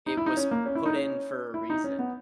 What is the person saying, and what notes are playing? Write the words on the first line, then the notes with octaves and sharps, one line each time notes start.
it was put in for a reason.
D#4
E4
D#4
C#4
A#3
C#4
E4
D#4
C#4
E4
D#4
C#4
B3